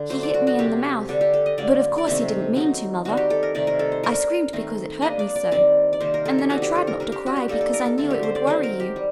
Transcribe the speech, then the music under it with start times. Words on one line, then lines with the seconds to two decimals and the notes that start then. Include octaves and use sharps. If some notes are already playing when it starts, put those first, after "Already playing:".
He hit me in the mouth, but of course he didn't mean to, Mother. I screamed because it hurt me so, and then I tried not to cry because I knew it would worry you.
Already playing: D3
0.10 F#3 A3 D4 C5
0.23 D5
0.34 F#4
0.47 F#4
0.59 C3 F#3 C4 G4
1.09 D3 G3 D4 A4
1.21 G4
1.34 A4
1.46 D#5
1.58 D3 F#3 A#3 D5
1.98 D5
2.07 C3 D#3 A3 C4 C5
2.56 F#3 C4 D#4
3.05 D#3 G3 C4 F#4
3.17 G4
3.30 A4
3.43 A#4
3.55 C3 D#3 A3 D#4 D5
3.67 A#4
3.79 A4
3.92 C5
4.03 G3 D4 A#4
4.53 D#3 A3 C4 D#4
5.02 G3 A#3 D4 D#5
5.19 D5
5.36 D5
5.52 D#3 G3 C4 D5
5.93 D5
6.00 C3 D#3 G3 A#3 C5
6.14 A#4
6.25 A4
6.38 G4
6.50 G3 C4 D#4 F#4
6.62 G4
6.75 A4
6.87 A#4
7.00 G3 D4 A#4
7.12 G4
7.26 F#4
7.37 G4
7.48 G3 A#3 D#4 A4
7.61 A4
7.73 A#4
7.86 A4
7.98 D3 A3 C4 A4
8.11 G4
8.23 C5
8.35 D5
8.47 D#3 F#3 C4 C5
8.63 A#4
8.80 G4
8.96 G3